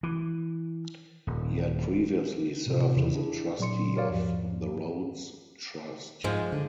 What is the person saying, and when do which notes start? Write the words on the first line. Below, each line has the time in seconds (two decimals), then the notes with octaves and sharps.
He had previously served as a Trustee of the Rhodes Trust.
0.03 E3
1.27 D#1
2.66 A2 C3 F4
2.96 E2 C#3 E3 E4
3.15 D4 E4 G#4
3.59 A#2 F#3 D5 C6 C#7
3.95 F#4 G4 A#4 C#5 D5 F5
4.10 E2 G#2 F3
6.24 G#2 F3 G#3
6.52 D3